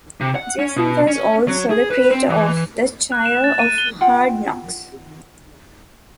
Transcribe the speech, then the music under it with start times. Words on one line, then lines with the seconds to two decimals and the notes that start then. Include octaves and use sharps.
Jason was also the creator of The Choir of Hard Knocks.
0.21 C3
0.35 F#5
0.59 C#4
0.76 B2
1.08 C#4
1.48 F#3
1.70 G#4
1.91 B4
2.11 C4
2.30 E3
3.12 F#6
3.26 E7
3.44 A6
3.59 D#7
3.78 G7
4.01 F4 F#5 G5